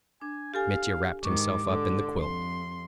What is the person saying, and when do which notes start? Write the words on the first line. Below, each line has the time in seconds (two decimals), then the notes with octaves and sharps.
Mitya wrapped himself up in the quilt.
0.22 D4 G#5
0.54 G4 A4 F5 G#5
1.24 G#2 D#3 C#6 D6
1.67 D3
2.19 F2 C6